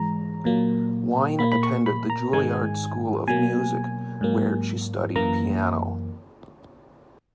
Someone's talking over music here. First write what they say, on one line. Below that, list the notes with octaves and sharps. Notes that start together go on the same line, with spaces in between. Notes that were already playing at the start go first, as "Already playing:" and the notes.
Wine attended the Juilliard School of Music, where she studied piano.
Already playing: G#2 E3 G#3 A#5
A#2 F#3 A#3
A#2 A#3 B5
B5
C#6
B5
A#5
G#2 D#3 G#3 G#5
B2 F#3 A#3 G#5
G#2 F#3 A#3
F#2 E3 A#3 A#5